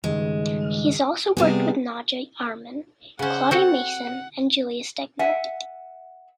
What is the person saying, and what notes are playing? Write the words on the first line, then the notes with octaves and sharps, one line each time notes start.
He has also worked with Nadja Auermann, Claudia Mason and Julia Stegner.
C#2 G2 D#3 G#3
C3 G3 B3 G#4
C#3 C#4 C5 F#5
C4 F#4 A4 F#5
E5 F#5 G#5